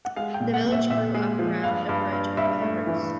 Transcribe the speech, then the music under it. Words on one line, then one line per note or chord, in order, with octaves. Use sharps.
The village grew up around a bridge over the Reuss.
F#5
G#3 F5
G5
A#2
F#5
A#2
E5
A#2 E5
G#3
F3
G2 F5
G2
G2
G2 E5
A3
E3